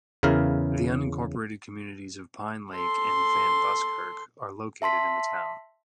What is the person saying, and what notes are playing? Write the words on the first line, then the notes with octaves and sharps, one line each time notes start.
The unincorporated communities of Pine Lake and Van Buskirk are located in the town.
E2 C#3 E4 A#4 F5
A4 C6
E5 A5 C6 B6